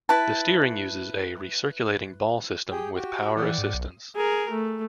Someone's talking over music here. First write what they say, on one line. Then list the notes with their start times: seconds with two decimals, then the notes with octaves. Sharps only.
The steering uses a recirculating ball system with power assistance.
0.09 E4 B4 A5
2.71 G4 G#4 G5
2.95 F#4 G4
3.36 E3 D5 F#5 G5
3.58 G#2
3.74 B1
4.16 G#4 A#4
4.51 A3